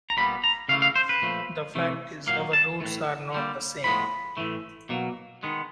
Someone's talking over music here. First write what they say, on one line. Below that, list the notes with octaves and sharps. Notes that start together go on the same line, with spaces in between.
The fact is, our roads are not the same.
A#5
A#2 G3 B3 B5
A#5
C#3 E3 A3 F5
F5
C5
B4
A#2 F3 A3
C3 E3 A3
A#2 F#3 A#3 F5
A5
A2 E3 A3
D3 G3 A#3
A2 F3 G#3 B3 B5
A2 E3 A3
B2 F#3 A#3
D#3 G#3 B3